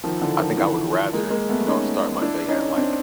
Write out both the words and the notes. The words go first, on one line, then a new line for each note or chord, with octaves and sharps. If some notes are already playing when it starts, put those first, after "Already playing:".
I think I would rather, you know, start my day at, like,
D#3 F3
D3 E3
D#3 F3
D3 E3
G#3 A#3
G#3 A#3
A3 B3
C#4 D#4
D4 E4
C#4 D#4
C4 D4